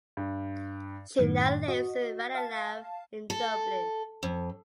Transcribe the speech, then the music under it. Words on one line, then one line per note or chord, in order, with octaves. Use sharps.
She now lives in Ranelagh in Dublin.
G2
F#2 A2 D#3
F#4 D#5
F5 A5
A4
F2